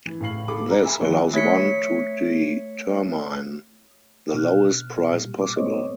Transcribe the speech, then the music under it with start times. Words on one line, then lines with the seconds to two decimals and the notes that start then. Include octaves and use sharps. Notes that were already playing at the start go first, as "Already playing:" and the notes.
This allows one to determine the lowest price possible.
0.06 E3
0.20 A2 C#3 F5 C7 F#7
0.48 A4 B5 D6
0.70 A4 D#5 A#5
0.84 E5 G#5 B5 E6
1.01 D#3 F3 C#4 F#6 G7
1.34 A3 C#5 B6 C#7
4.34 B2 F6 F#6
5.11 A#2 G3
5.41 D6
5.56 A3 B3 C4 C5 C#5 D#5